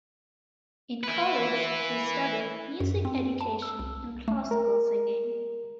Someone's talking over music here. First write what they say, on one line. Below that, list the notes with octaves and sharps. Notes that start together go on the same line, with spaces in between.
In college, she studied music education and classical singing.
E4 B4
F#2
C4
A5
E6
C2
A3
A#4